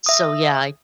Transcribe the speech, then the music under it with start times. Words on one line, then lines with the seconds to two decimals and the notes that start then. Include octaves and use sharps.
So, yeah I
0.06 E5 D#6